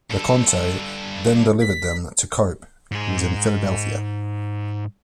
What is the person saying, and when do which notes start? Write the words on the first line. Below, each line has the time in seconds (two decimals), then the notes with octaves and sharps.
LeConte then delivered them to Cope, who was in Philadelphia.
0.11 G2 A4
1.61 B6
2.92 G#2 G#4